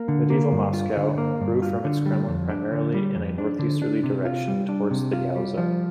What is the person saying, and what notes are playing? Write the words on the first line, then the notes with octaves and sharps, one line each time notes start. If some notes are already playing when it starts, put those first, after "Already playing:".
Medieval Moscow grew from its Kremlin primarily in a northeasterly direction, towards the Yauza.
Already playing: A#3
D3
A#3
G2
F4
D3
A#3
G2
F4
D3
G3
F2
D4
D3
G3
F2
D4
D3
D4
C3
F4
G3
D4
C3
F4
G3
F3